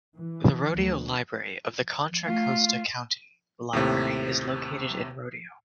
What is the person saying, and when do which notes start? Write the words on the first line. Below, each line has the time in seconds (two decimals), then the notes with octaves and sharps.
The Rodeo Library of the Contra Costa County Library is located in Rodeo.
0.16 E3
0.70 D2
2.26 A3 F4
3.73 D#2 A2 C3